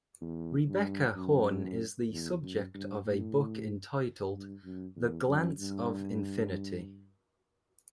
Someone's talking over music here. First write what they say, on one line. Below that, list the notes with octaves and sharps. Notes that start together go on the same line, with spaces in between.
Rebecca Horn is the subject of a book entitled "The Glance of Infinity".
E2
G2
F#2
E2
F#2
G2
A2
G2
F#2
E2
F#2
G2